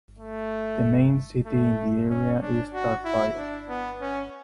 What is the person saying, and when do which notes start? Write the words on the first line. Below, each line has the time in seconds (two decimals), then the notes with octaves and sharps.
The main city in the area is Tarfaya.
0.18 A3
1.46 A3
2.10 C#4
2.41 D4
2.73 F#4
3.05 E4
3.37 D4
3.68 B3
4.01 C#4